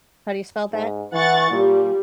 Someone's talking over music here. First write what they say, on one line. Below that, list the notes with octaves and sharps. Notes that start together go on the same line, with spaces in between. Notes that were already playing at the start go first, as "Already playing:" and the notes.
How do you spell that?
G#2
E3 F#5 C#6 A6
A#2 G3